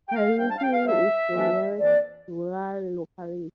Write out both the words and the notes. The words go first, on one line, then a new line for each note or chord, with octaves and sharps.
Klyuchi is the nearest rural locality.
G5
F5
C3 G3 D4 G5
A5
F5
G5
F5
C3 G3 D4 E5
F2 E3 A#3 D4
F2 E3 A#3 D4 D5